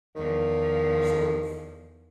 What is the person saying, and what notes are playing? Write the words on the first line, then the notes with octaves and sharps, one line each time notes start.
sort of
E2 D#3 F3